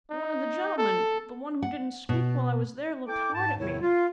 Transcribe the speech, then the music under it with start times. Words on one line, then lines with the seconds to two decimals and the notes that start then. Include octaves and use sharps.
'One of the gentlemen, the one who didn't speak while I was there, looked hard at me.
0.11 D#4
0.78 A4
1.62 F#5
2.09 B2
3.07 E4 A4 G5 D6
3.34 G#2 A5
3.58 E2 A2 C3 D#3 E4 C#5
3.82 F4